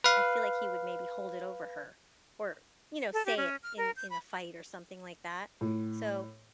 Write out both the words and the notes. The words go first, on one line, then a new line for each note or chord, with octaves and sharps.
I feel like he would maybe hold it over her, or, you know, say it in in a fight or something like that, so
B4 F5
A4
G4
C#4
F6
A#4
G6
B5
A2